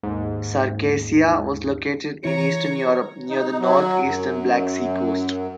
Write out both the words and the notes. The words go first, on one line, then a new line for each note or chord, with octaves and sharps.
Circassia was located in Eastern Europe, near the northeastern Black Sea coast.
D#2 G#2
E3 E4 C#5 A#5 C#7
D#4
F#3
F#2